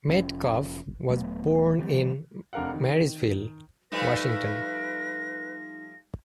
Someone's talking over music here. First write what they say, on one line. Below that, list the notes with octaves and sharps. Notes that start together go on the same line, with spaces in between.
Metcalf was born in Marysville, Washington.
F1 F3 C#4
D#1 F#3 A3 B3
D#3 F3 G3 C4
F1 D4 A#4 F5 F#5
D#3
F3 G3 A3 D#4 B4 A#6